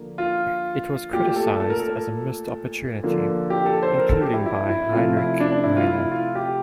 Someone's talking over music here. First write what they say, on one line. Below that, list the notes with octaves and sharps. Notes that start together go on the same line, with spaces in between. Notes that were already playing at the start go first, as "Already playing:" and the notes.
It was criticized as a missed opportunity, including by Heinrich Heine.
Already playing: D3 F3 A#3
F4
A#2 A3 G4
G4
A4
A4
A#4
A4
D3 F3 A#3
G4
A4
C5
A#4
A4
G4
E4
E4
E4
C3 F3 A3 F4
E4
D4
D4
E4
F4
E4
F4
G4